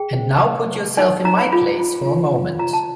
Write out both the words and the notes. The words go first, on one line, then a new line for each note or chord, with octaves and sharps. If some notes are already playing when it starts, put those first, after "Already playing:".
And now put yourself in my place for a moment.
Already playing: G#4 G5
C5
B4
B4
D#4 G#5
D#4 A#5
B5
F4 B5
F4
F4
F4
F4 A#5
A5